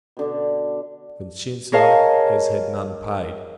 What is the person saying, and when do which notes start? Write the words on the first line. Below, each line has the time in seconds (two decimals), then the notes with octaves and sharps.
Vincenzo has had none paid.
0.17 B2 D3 D4
1.72 G#4 A#4 C#5 D#5 F5 A5